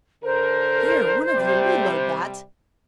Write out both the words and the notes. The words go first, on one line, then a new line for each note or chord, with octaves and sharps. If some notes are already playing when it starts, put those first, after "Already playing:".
Here, one of you, reload that.
D3 A4 A#4 C5
C3 G3